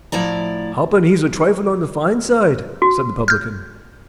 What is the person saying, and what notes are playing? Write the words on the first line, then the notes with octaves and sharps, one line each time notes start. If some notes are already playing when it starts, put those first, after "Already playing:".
"Happen he's a trifle on the fine side," said the publican.
A2 F3 E4 D5 A#5
F#4
F6 G6